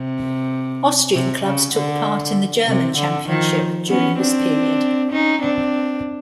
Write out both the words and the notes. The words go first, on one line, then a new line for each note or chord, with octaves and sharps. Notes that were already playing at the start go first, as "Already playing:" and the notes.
Austrian clubs took part in the German championship during this period.
Already playing: C3
C3
C#3
D3
C3
D3
D#3 F3
B3 C#4
C4 D4
C#4 D#4
C4 D4